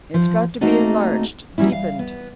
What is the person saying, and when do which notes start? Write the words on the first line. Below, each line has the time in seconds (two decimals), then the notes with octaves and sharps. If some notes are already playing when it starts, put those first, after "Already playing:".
It's got to be enlarged, deepened.
0.14 F3
0.61 A3 A#3 C4 D#4 F#4 A4
1.58 F#3 G3 A3 C#4 E4
1.72 F5
1.99 B3